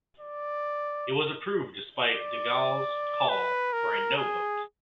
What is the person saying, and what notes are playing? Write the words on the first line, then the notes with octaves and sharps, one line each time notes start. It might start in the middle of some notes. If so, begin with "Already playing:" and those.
It was approved despite De Gaulle's call for a "no" vote.
D5
D5
B4
A#4
G#4